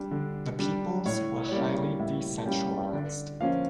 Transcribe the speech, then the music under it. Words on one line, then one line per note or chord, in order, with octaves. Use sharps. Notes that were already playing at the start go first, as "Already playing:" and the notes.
The peoples were highly decentralized.
Already playing: G3 D4
D3
G3 D4
A2 C#5
C#5
G3 A#3 C#4 D5
A2 E5
A5
G3 A#3 C#4 G5
D3 D5
F3 A#3 C#4 F5